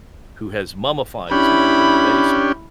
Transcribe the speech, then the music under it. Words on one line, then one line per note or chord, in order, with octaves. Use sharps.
who has mummified his mother in the basement,
C#4 D4 E4 G4 B5